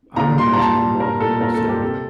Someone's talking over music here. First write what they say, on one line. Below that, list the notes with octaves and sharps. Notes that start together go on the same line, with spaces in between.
I would imagine there probably is, yeah.
A#2 A#5
G3 C6
A#5
A#2 A5
G3
A#2 A#4
G3 A4
A#2 A#4
A4
G3
G4
C3 A4